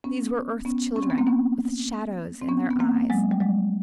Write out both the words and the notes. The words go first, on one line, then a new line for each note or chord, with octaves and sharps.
These were Earth Children, with shadows in their eyes.
B3 C#4
B3 C#4
C#4
C4
B3
A#3 C4
B3 C#4
C4
B3 C#4
B3
A#3 C4
F#3 G#3
G3
F#3 G#3